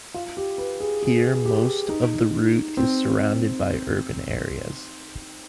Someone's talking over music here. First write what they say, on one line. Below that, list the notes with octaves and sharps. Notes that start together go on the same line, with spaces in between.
Here, most of the route is surrounded by urban areas.
F4
G4
B4
G#4
G#4
G4
D#4
C4